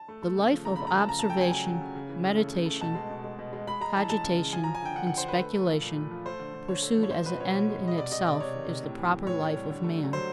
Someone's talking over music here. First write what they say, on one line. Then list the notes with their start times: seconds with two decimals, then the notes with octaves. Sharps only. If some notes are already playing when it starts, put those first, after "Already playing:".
The life of observation, meditation, cogitation, and speculation pursued as an end in itself is the proper life of man.
Already playing: A5
0.08 A3
0.23 A3
0.37 C#3
0.52 F3
0.65 C#3 A#5
0.76 A3 B5
0.87 A#5
0.94 F3 A5
1.08 C#3 A#5
1.19 A3 A5
1.30 G5
1.37 F#3 G#5
1.51 C#3 G#5
1.66 F#3
1.81 C#3
1.95 C#3
2.09 E3
2.24 C#3
2.38 A3
2.52 C#3
2.66 A3
2.81 B2 A5
2.95 G#3
3.10 B2
3.24 G#3
3.39 B2
3.53 G#3
3.67 G#3 B5
3.81 G#3 A#5
3.96 E3 A5
4.10 G#3 A5
4.24 C#3
4.38 C#3
4.53 F3 G#5
4.64 F3 A#5
4.75 G#5
4.82 D3 G5
4.96 D3 F#5
5.07 D3 F#5
5.18 C5
5.25 D3 B4
5.40 A3
5.54 A3
5.68 F3
5.82 A#2
5.97 A3
6.11 F3
6.26 A3 C5
6.39 D3
6.54 D3
6.68 D3 C#5
6.82 A3
6.98 F3
7.03 C#5
7.11 G#3 C5
7.25 B2 B4
7.40 B2 C#5
7.54 B2 C#5
7.69 G#3
7.83 B2 D#5
7.98 C3 D5
8.12 G#3 D#5
8.26 C3 D5
8.40 C3 C#5
8.55 D#3
8.69 C3
8.83 A2
8.98 E3
9.12 E3
9.27 A2 C#5
9.42 A2
9.56 G3
9.70 D3
9.84 A3
9.98 F#3
10.13 F#3 C5